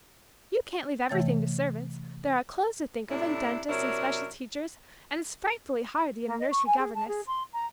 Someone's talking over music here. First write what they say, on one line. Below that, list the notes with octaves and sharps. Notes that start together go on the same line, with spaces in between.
You can't leave everything to servants--there are clothes to think of, and dentists, and special teachers, and it's frightfully hard to get a nursery governess.
C3 E3 A3 C#5 G5 A6
A2 C3 D4 E4
C3 F#3 D4 E4 A#4 C#5
A#3
D#5
C#6
G#5
G#4
A5
G#4
C6
A#5